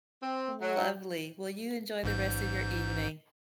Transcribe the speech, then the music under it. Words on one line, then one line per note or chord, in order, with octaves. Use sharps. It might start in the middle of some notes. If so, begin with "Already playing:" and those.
Lovely. Well, you enjoy the rest of your evening.
C4
F#3
A1 G#2 G6